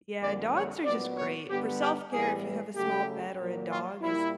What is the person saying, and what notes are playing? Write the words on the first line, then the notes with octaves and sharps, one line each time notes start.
Yeah, dogs are just great. For self-care, if you have a small pet or a dog is
F2 D3 G3 A#3 D5
C#5
A#2 F#3 B3 D5
C#5
G2 D3 G3 B3 G4
G4
A2 E3 G3 B3 G#4
C#3 F#3 A3 G4
A#2 F#3 A#3
F4
A#2 G3 A#3 E4